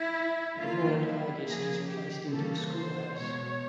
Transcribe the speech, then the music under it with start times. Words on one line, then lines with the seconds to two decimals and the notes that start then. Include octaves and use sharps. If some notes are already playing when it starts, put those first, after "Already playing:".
Everyone at Hargest is placed into a school house.
Already playing: E4
0.58 D3 F#3 A#3 F4
1.01 E4
1.45 C#3 F3 A#3 G#4
1.87 G4
2.31 C#3 E3 G3 A#3 A4
2.74 C5
3.17 B2 G#3 C#5